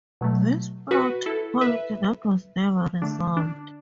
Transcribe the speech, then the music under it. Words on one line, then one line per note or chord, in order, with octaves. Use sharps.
This plot-point that was never resolved.
B2 F#3 A3
F#4 B4
E4 A4
B4 E5
D3 A3 D4
D4